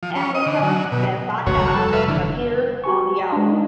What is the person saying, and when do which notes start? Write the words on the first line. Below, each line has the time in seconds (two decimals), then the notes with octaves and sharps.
Afrika Bambaataa appears on the album.
0.03 F3
0.15 C#4
0.35 D#5
0.46 D3
0.63 F#3
0.92 B2
1.46 F1 D2 C3 F#4 C#5
1.61 F1 G3
1.74 A4
1.93 B4 E5 F5
2.08 D3 E3
2.84 F#4 G4 G#5 C#6
3.32 G#3 D4
3.52 D#4